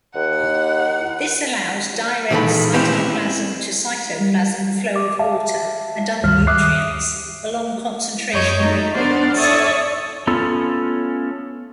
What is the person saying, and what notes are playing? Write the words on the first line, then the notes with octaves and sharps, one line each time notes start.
This allows direct cytoplasm-to-cytoplasm flow of water and other nutrients along concentration gradients.
D#2 F#5
A#2 D#3 E3 G#3 A4 B5
A3 C4 C#4 E4 G4 B4
G3
D6
E5 F5 A5
D2 G2 D#3 G3 F6
E5 D6 D#6 F#6 C7
F#2 C#5 D#5 G6
A3 D#4
B3 D4 C5 D5 F#5 F6
A4 C#5 D5 E5 C#6 D#6
A3 B3 C#4 F4 A4